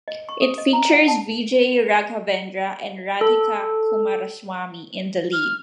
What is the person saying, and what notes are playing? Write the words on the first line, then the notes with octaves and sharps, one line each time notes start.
It features Vijay Raghavendra and Radhika Kumaraswamy in the lead.
D#5
C#6
D#6
D#5
A#5
F#5
A5
A4
F6